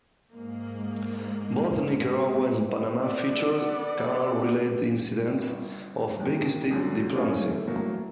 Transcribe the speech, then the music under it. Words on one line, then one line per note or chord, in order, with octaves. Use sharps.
Both Nicaragua and Panama featured canal related incidents of Big Stick Diplomacy.
G#2 A#3
B3 A4 D5
G1
D#2 D#3
C#2 D3 F#3
F#2 A2 C#4 A#4 F5
A3
A2 F#3 A#3